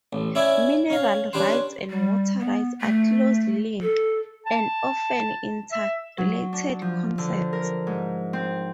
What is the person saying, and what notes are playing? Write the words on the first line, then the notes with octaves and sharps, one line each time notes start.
Mineral rights and water rights are closely linked, and often interrelated concepts.
A1
C#4 E4 D5 E5 G#5
C#4 F5
C#4 D4 G4 B4 C5
G3
B3
A3
A4
A5
E5
F#3
D4
F3
D3
A#4
G#2
C4